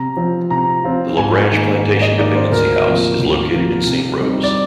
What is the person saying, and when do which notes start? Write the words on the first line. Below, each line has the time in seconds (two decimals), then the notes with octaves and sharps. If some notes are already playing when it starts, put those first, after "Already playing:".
The LaBranche Plantation Dependency House is located in Saint Rose.
Already playing: C3 A#5
0.17 F3 C4 F4
0.50 C3 A#5
0.84 F3 C4 F4
1.17 G#2 G#5
1.51 D#3 A#3 D#4
1.85 G#2
2.02 D#5
2.19 D#3 A#3 D#4 D5
2.35 C5
2.52 D2 A#4
2.86 C3 F3 A#3
3.20 D2
3.54 C3 F3 A#3
3.87 C3
4.21 G3 C4 D#4
4.43 D5